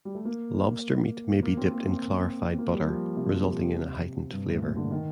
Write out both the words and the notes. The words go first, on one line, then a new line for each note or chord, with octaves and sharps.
Lobster meat may be dipped in clarified butter, resulting in a heightened flavour.
G3
A3
A#3
A#3
C4
A#3
C4
A#3
G3
F3
C3
G2
A2
A#2
D3
D#3